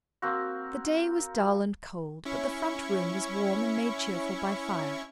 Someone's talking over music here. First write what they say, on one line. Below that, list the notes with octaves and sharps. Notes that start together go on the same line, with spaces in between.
The day was dull and cold, but the front room was warm and made cheerful by fire.
A#3 C4 F#4
C#4 E4 C#6